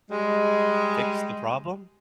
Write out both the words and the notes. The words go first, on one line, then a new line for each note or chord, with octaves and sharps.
Fix the problem?
G3 G#3